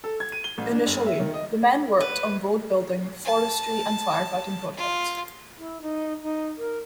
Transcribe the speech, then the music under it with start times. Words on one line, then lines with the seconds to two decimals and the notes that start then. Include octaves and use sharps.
Initially the men worked on road building, forestry and firefighting projects.
0.04 A4
0.20 G#6
0.32 D#7
0.44 G7
0.58 A1
0.72 D4
0.86 G1
1.06 E5
1.20 D#3
1.33 D#5
2.00 B4
3.24 A5
4.76 F4
5.58 E4
5.81 D#4
6.22 D#4
6.58 A#4